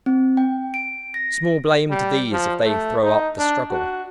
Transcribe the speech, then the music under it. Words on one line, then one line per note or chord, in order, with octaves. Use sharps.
Small blame to these if they throw up the struggle.
C4
G5
D7
A#6
G3
F3
A3
D#4
D4
F#4